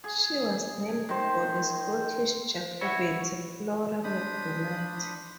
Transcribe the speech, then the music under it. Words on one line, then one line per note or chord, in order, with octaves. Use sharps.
She was named for the Scottish Jacobite Flora MacDonald.
G#4
D#3 C5
C5
E4 F#4 C#5 F#5 B5
D4 C5 B5 D#6